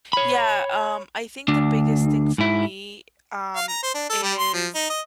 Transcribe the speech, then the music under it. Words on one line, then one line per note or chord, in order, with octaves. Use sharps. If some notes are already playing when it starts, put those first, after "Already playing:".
Yeah, um, I think the biggest thing for me, um, is
C#5 B5
D2 D4
G#2 E4
F5
A#5
C5
D4
A4
G3
C6
F3
D#4
D#5